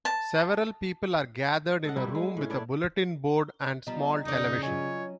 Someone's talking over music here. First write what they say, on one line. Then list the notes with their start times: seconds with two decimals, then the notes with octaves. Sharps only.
Several people are gathered in a room with a bulletin board and small television.
0.05 A5
1.85 A4 D#5 F#5
1.96 G3 A#3 E4 E5
2.15 G#3
2.37 A2 C#4
2.50 D4 E4 C#5 D5
3.87 F3 G3 B3 D#5 A#5
4.25 F2 C#3 D#4 D5
4.63 F#3 C#4 F4 C#5 D#5 G#5